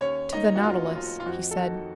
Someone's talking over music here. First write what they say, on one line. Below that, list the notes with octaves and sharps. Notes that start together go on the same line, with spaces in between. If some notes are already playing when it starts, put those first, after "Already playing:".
"To the Nautilus," he said.
D#2 C#4 C#5
A#3 D#4 D#5
F#4
F1 F4
F1 F4
F4
F2 F#4
A4
D#3 F#4